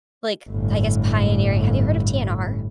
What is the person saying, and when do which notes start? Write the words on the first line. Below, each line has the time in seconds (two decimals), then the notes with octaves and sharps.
like, I guess, pioneering Have you heard of TNR?
0.50 G1 A2